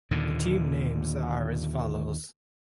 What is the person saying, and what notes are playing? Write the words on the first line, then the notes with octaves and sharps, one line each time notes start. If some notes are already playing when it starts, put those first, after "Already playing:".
The team names are as follows.
D#2 A#2 D3